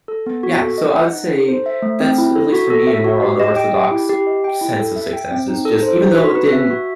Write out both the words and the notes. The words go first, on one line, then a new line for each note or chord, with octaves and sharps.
yeah, so I would say that's at least for me, a more unorthodox sense of success is just even though it didn't
A4
B3
F#4
A4
D#5
F#5
D#4
A4
C5
E5
A3
C4
E4
A4
F#4
A4
E5
F#4
G4
D#5
G5
G4
E4
G4
D#5
G5
E4
A4
E5
G5
C4
D#4
A4
C5
D#4
F#4
B4
E5
F#4